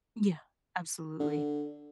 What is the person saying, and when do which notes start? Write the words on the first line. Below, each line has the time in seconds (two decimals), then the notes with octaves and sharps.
Yeah. Absolutely.
1.20 D3